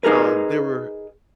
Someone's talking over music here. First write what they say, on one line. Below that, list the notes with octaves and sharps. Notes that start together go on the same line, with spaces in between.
um, there were
D#4 G#4 A#4 B4